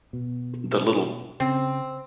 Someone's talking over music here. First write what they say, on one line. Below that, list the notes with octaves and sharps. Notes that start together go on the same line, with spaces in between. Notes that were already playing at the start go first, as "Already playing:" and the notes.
the little
B2
C#3 C4